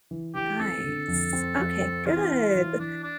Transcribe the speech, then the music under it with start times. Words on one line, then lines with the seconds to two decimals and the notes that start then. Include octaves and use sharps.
Nice, okay, good, th
0.11 E3
0.35 E3 G4
0.60 C4 A4
0.84 D3
1.08 F2
1.33 C4
1.57 F2
1.81 C4
2.06 E3 F4
2.31 E4
2.55 E3
2.80 E3 D4
3.03 D4